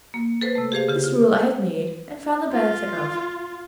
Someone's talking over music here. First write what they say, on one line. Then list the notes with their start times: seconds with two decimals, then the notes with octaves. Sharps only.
This rule I have made, and found the benefit of.
0.14 A#3
0.41 A4 B4 C5
0.55 C3 A3
0.72 G4 G#4 C5 F5
0.89 C#3 G4
1.04 F4
2.53 F4